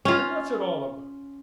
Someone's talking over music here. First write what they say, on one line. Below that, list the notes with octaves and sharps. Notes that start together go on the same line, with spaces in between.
"And what's it all about?"
C#4 F4